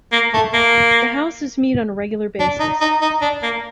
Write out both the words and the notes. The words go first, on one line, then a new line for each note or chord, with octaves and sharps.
The houses meet on a regular basis.
A#3
A3
A#3
D4
D#4
D#4
D#4
D4
A#3